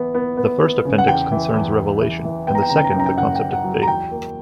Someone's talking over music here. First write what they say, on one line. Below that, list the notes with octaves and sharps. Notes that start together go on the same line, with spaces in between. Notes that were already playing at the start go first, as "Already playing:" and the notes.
The first appendix concerns revelation and the second the concept of faith.
Already playing: E3 B3
B3
B3
B3
C#3
F#5
E2 G5
E3
E2
E2
E3
E3
B3 G5
A#5
G5
C#3 A#5
G5
A#5
F#2 G5
A#5
G5
C#3 F#5
G5
C#3
F#5
F#3
A#5
E2 G5
A#3